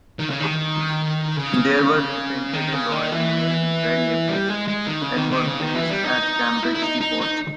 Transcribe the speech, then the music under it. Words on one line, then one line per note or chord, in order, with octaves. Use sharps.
These were repainted in Royal Mail red livery, and were based at Cambridge depot.
D#3
C#3
D#3
C#3
D#3
C#3
D#3
E3
G3
G#3
G#3
D#3
C#3
D#3
D#3
C#3
D#3
E3
G3
D#4
E4
E4
D#4
D#4
D#4